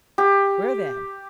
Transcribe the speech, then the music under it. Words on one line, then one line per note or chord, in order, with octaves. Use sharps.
Where then?
G4